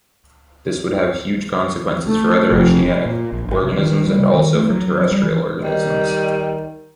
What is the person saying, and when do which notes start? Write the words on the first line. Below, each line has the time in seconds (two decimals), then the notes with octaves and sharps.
This would have huge consequences for other oceanic organisms and also for terrestrial organisms.
2.07 A3
2.50 F1
3.06 A#2
3.32 A#1
3.48 G#1
3.62 C3
3.78 D#3
4.08 G3
4.34 D#3
4.55 A3
4.70 F#3
5.11 G3
5.23 E3
5.62 D#3 G3 D#5